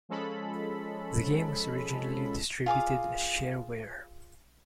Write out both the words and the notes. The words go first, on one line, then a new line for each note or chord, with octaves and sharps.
The game was originally distributed as shareware.
F3 G#3 C#4 A4 B5
F4 G#4 F5 D6